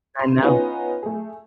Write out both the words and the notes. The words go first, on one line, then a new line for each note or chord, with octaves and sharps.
I know.
C6
B3 C#4 D#4 F4 G#5
A3 G#4